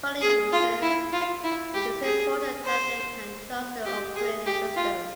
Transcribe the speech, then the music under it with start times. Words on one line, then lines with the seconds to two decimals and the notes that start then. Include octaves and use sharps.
For the users, it is important that they can trust their operating system.
0.21 G#4
0.52 F4
0.82 E4
1.13 F4
1.44 E4
1.74 G4
2.03 G#4
2.65 C5
3.85 G4
4.16 G#4
4.46 G4
4.76 F4